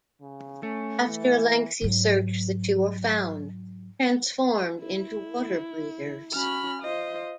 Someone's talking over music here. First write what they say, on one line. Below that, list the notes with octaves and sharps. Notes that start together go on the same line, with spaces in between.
After a lengthy search the two are found, transformed into water breathers.
C#3
A3 C#4
E3
G#2 F#3
E4
C#4 F#4 B5 F6
F4 C5 D#5